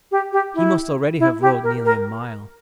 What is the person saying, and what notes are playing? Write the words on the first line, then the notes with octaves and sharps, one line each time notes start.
He must already have rowed nearly a mile.
G4
G4
E4
E4
G4
A#4
A#4